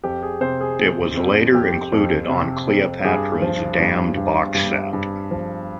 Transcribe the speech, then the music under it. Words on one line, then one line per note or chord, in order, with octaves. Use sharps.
It was later included on Cleopatra's Damned Box Set.
F2 G4
G#4
C3 C5
G#4
C3
F2
F2 G4
F2
C3
F2
G2 G#4
F3
G2
G2
G2
G2
F3